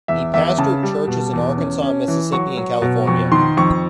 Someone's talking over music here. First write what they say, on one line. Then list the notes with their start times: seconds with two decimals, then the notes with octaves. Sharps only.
He pastored churches in Arkansas, Mississippi, and California.
0.08 E2 E5
0.34 E2 E5
0.58 C#3 A5
0.83 G3
1.08 B2
1.34 E2
1.57 C#4
1.82 C#4
2.08 E3
2.32 F#3 C#6
2.57 F#3
2.82 B2
3.07 F2 C#6
3.32 D#3 C6
3.57 F2 C#6